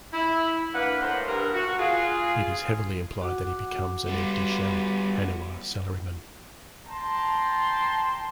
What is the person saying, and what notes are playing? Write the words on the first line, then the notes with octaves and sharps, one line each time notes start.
It is heavily implied that he becomes an empty shell, Haniwa Salaryman.
E4
A#3 D4 B4 F#5
A2 A#4 C5 F#5
G2 A#4
F#4
F4 G#4
F#4 F#5 D6
G3 B3
G5 A5 A#5 C6